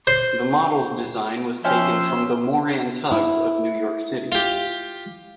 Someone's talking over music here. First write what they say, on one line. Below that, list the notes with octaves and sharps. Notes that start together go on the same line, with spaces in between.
The models' design was taken from the Moran Tugs of New York City.
C5
F3 C#4 E5 G5 C6 E6
E4
F4 G4